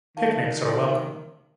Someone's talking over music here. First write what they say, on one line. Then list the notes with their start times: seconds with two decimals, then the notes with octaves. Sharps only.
Picnics are welcome.
0.17 D#3 F5 A5 C#6